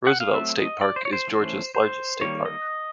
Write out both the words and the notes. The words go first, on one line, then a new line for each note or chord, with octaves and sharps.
Roosevelt State Park is Georgia's largest state park.
F#5
F5
F#3 A3 C4 E5
D#5
D5
C5
C#5
C5
E3 A3 C#4
C5
D#3 G3 A#3 C#5
D#5